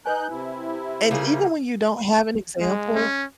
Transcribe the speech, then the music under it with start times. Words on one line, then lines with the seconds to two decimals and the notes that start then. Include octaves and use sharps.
And even when you don't have an example
0.06 D#4 B4 G#5 F#6 G6
0.30 C3 E4
1.11 C#3 G3 A#3 G#4
2.61 G#3
2.96 C#4